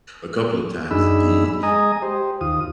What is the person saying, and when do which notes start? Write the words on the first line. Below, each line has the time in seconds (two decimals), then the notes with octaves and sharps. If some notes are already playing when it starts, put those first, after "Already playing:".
a couple of times indeed,
0.91 F#2 D4 D#4 G#4 B5 E6
1.63 G#3 D#5 G#5 A#5 D#6
2.02 G4 C5
2.41 D#2 F4 D#6